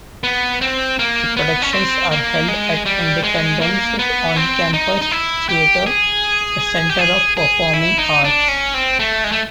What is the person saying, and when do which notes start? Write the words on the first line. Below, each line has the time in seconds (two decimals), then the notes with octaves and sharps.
The productions are held at Independence's on-campus theatre, the Center of Performing Arts.
0.24 B3
0.61 C4
0.99 A#3
1.37 B3
1.62 C#4
1.73 C4
2.11 A#3
2.48 G#3
2.86 G3
3.24 G#3
3.61 A#3
3.99 B3
4.36 C4
4.74 D#4
5.02 D#4
5.11 E4
5.49 G4
5.87 G#4
6.90 G4
6.99 G#4
7.37 G#4
7.74 E4
7.98 D#4
8.24 D4
8.48 C#4
8.74 C4
9.00 A3
9.24 G#3
9.32 A3